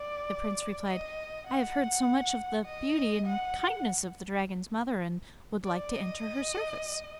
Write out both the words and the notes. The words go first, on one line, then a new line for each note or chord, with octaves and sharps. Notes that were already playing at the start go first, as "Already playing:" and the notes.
The Prince replied, 'I have heard so much of the beauty and kindness of the Dragon's Mother, and would like to enter her service.'
Already playing: D5
D#5
F#5
D#5
F#5
D5
D#5